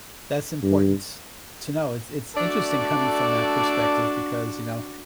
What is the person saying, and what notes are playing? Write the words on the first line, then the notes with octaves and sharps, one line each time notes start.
that's important to know. It's it's interesting coming from that perspective because, you know,
G2
A3 D4 F#4 A4 D5